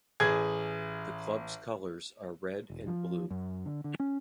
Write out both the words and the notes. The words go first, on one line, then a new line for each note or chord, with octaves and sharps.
The club's colors are red and blue.
A1 G#4 G#6
E1
F3
F#2
D3
D3
C#4